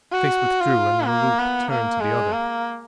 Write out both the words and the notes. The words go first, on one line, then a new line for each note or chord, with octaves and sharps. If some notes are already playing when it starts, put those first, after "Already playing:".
The face withdrew and Le Loup turned to the other.
F#4
F4
A#3
B3
A#3
G#3
A#3